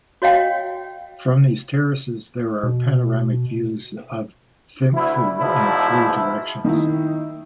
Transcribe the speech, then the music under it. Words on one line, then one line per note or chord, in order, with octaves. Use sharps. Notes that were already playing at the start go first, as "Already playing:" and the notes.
From these terraces there are panoramic views of Thimphu in three directions.
F#4 C#5 D#5 F5 G5
B2
D2 E4
E2 G#2 B2 F3 E4
D#3 D#4 E4